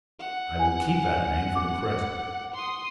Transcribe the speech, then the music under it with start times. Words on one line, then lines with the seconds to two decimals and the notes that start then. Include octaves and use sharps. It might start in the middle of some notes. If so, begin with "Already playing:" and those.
I will keep that name for the present.
0.20 F#5
0.59 G#5
1.55 D6
2.54 C6 D#6